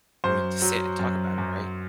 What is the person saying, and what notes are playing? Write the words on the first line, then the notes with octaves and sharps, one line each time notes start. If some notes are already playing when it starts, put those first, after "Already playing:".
we need to sit and talk about it. Right?
F#2 C5
F#3
F#2
F#2